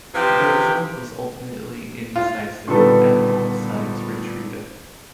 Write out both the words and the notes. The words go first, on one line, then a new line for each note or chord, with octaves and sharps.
The result was ultimately indecisive and both sides retreated.
C3 E3 F3 G4
F4
A#2 D3 D#3 G3 B3 A4